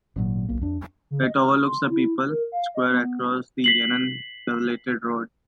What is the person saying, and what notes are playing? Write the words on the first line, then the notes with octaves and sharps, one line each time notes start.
It overlooks the People's Square across the Yan'an Elevated Road.
G#1 A#2 F#3
D1 B1 A#3
F2 D4
C#3
D#5
F6
C6
E4
A#4
F5
D#5
B3
B6 C7 F#7